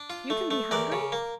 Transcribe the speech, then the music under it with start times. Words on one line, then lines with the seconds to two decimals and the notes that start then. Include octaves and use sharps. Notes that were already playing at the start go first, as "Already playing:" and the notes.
"You can be hungry?"
Already playing: D4
0.10 F4
0.30 A3
0.51 A3
0.71 E2 A#4 D5
0.92 C#3
1.12 A#3